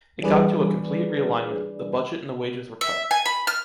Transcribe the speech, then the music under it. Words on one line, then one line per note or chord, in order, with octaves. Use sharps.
It got to a complete realignment, the budget and the wages were cut.
E3 G3 D4 G#4 B4 D5
E5
G#5
B5
F6